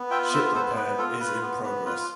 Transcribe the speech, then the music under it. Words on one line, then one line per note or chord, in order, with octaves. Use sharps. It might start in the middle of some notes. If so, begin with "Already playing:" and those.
Ship repair is in progress.
Already playing: B3
F4 E5 G5
B3 C5 E5
B3 A4 C5
B3 B4
F4 A4
F4 B4
B3
B3
F4 B4